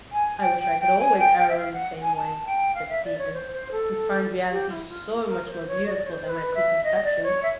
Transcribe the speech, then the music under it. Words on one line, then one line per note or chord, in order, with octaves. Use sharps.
"I wish I could always err in the same way," said Stephen, "and find reality so much more beautiful than my preconceptions."
G#5
G5
G5
G5
G#5
G5
G5
E5
F5
F#5
G#5
A5
G5
F5
E5
D5
C#5
C5
C5
A4
G4
F4
E4
F4
A#4
C#5
C5
C#5
D#5
D5
C#5
C5
C5
B4
E5
D#5
D5
C#5
E5